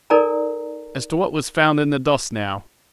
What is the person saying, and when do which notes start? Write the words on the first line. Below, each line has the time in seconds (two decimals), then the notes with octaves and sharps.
'As to what was found in the dust now.
0.10 D#4 A4 A#4 D5 G#5 A#5